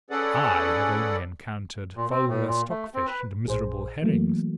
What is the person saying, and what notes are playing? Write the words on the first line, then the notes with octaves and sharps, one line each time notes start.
I have only encountered vulgar stockfish and miserable herrings.
C#4 G#4 A4 B4 D5 F#5
A#2
C4
A2
A#2
A3
C4
B4
A#1 G#4 C5
E3 F#3 A3 A#3